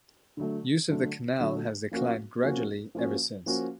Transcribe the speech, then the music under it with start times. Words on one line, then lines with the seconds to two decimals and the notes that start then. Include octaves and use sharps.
Use of the canal has declined gradually ever since.
0.37 D3 F#3 A3
0.89 D3 F#3 A3
1.40 D3 F#3 A3
1.91 F3 A#3 C#4 F#4
2.43 F3 A#3 C#4 F#4
2.95 F3 A#3 C#4 F#4
3.46 F3 A#3 C#4 F#4